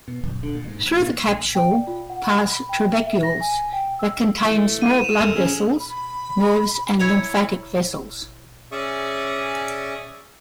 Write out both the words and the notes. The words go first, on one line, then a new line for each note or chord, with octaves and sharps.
Through the capsule pass trabecules that contain small blood vessels, nerves and lymphatic vessels.
B2
F#2
D3
A#2
G#2
A1
B2
A#3
A#1
G5
D5
F4
F#5
B5
G5
E5
A#6
G#5
G5
E6
E3 A3
D#7
E7 F7
D1 D#2 A4 A#4 E6
F3 C#4 G#4
B5
E4 C#5 G#5 A#5
C#4 G#4 D5 E5 C#6 D#6